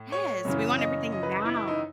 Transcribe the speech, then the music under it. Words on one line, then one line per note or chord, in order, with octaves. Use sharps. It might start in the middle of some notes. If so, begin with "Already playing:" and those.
Yes, we want everything now.
Already playing: A2
C#5
F#2 C#3 E3
D#5
D#5
B4
E4
E4
D#4